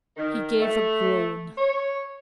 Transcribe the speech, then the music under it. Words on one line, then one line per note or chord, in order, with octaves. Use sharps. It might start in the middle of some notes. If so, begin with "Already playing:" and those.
He gave a groan.
D#3
A3
C#5